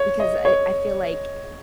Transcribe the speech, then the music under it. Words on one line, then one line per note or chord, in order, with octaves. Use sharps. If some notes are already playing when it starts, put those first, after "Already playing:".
because, uh, eh, I feel, like,
Already playing: C#5
D#5
C#5